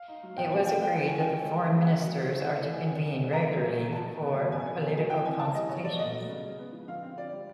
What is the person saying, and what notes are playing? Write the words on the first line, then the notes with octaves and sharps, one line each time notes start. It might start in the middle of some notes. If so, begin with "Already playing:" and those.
It was agreed that the Foreign Ministers are to convene regularly for political consultations.
Already playing: F5
D#4
F#3
B2 G5
C4 G#5
F4 G5
G#3 G5
E3 G5
C#4 G#5
G5
F4
G#3
C#3
A#3
C#4 F#5
F#3
A2
A3
C4 F#5
E3
D#3 G#5
C4
D#4
G#3
C3 A#5
F#3
A3
D#3
B2 A5
A3
B2
F#3
B2 G#5
B3
B2
F#3
E3 G5
C4 G#5
E3 A5
G3 D#5
B2 C#5
A3 D5
B2 D#5
F#3
C#3
G#3
B3
F3
D3 F5
C4
F4 D5
G3